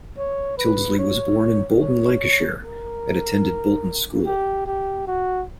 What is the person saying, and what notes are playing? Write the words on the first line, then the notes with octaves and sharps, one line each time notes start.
Tyldesley was born in Bolton, Lancashire and attended Bolton School.
C#5
B4
C#5
C#5
A#4
G4
G4
F#4